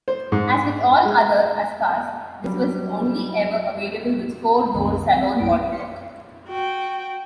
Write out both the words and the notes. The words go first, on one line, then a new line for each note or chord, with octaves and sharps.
As with all other Askas, this was only ever available with four-door saloon bodywork.
C5
G#2
G#3
F#3 G3
C2 F#2 D#3 A3 C4
C4
A#1 F#2 E4 G5 D7
B4
C#5 F5 C6 B6 C#7
F#4 G5